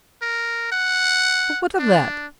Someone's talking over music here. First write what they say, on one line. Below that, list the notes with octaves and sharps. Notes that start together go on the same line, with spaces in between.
But what of that?
A#4
F#5
D4